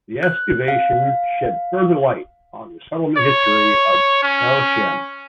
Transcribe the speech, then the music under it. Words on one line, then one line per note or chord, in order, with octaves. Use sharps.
The excavation shed further light on the settlement history of Tel Shem.
F#6
F5
C#5
C#4